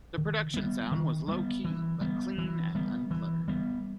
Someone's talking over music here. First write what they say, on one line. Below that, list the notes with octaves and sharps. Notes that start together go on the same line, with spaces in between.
The production sound was low-key, but clean and uncluttered.
D#3
G3 B3
D#3
G3 B3
E3
G3 B3
E3
G3 B3
E3
G3 B3